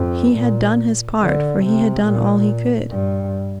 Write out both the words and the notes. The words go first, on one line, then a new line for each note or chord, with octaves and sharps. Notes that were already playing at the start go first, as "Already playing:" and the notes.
He had done his part, for he had done all he could.
Already playing: F2
A#2
D3
C3
A#2
G2